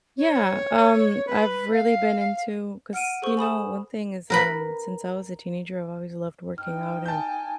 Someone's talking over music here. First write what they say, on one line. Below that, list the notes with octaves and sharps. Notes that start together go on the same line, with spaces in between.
Yeah, um, I've really been into 'cause, you know, one thing is, um, since I was a teenager, I've always loved working out and
C#5
B4
F5
F#5 F6 D7 D#7
G#4 A4 C5 C#6
G#5 B5 D#6 E7
A#4 B4 B5
D#4 G5 F6
G#5 A5 G6